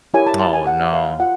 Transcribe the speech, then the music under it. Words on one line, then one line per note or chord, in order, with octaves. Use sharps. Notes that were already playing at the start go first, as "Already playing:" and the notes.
Oh no.
E4 G4 A#4 C#5 G#5
A5
A5
G#5
F#5
F5
F4 F#5